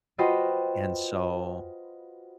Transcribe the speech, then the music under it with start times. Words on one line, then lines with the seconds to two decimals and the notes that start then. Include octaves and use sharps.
And so,
0.18 F4 F#4 B4 C5 D#5 G5